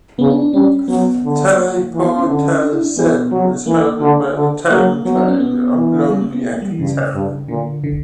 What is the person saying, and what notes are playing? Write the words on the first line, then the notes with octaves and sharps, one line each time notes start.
Tai Po Tau Tsuen was founded by the Tang clan of Lung Yeuk Tau.
C#3 B3
D4
D4
G3 C#4
F#3 B3
D3
A#3
E3
B3
C#4
D3
D4
E4
D4
E3 B3
F#3
E3 A#3
D3
D3
F#3 A#3
F#3 B3
D4
C#4
B3
E3
G3
A#3
B3
A#3
G3
E3
G2 C#3
G2
A#2 D3
D3